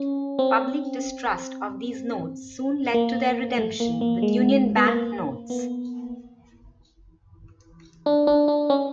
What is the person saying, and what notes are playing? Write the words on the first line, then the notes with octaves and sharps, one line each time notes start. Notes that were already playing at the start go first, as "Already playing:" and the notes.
Public distrust of these notes soon led to their redemption with Union Bank notes.
Already playing: C#4
C4
A#3
A3
A#3
A#3
G#3
B3
A#3
B3
D4
D4
D4
C#4